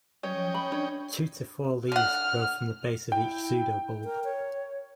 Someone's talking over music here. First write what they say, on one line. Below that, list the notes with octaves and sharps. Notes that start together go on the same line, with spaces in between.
Two to four leaves grow from the base of each pseudobulb.
F#3 C#4 C#5 D#5 G5
F3
C#5 B5
D4 C#5
D3 F#5 F6
E4 G5
A#4
C#5